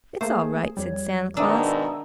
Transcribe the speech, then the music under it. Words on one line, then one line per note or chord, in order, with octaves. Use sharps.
"It's all right," said Santa Claus.
A3 A#3 G#4 C5
F2 G3 C#5
G#2 B2 D#3 D4 E5 A#5 D#6 E6